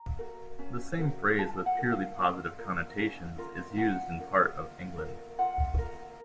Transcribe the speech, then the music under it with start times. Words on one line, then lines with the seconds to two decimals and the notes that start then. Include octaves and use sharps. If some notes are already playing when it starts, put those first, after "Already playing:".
The same phrase with purely positive connotations is used in part of England.
Already playing: A#5
0.19 F#4 A#4
0.59 C#4
0.99 F#4 A#4
1.39 F4 A5
1.66 F#5
1.78 A#4
1.92 F5
2.18 F4
2.58 A#4
2.98 C#4
3.38 F4 A#4
3.78 C#4 F#5
4.18 F4 A#4
4.58 F4
4.98 A#4
5.38 F4 F#5
5.78 A#4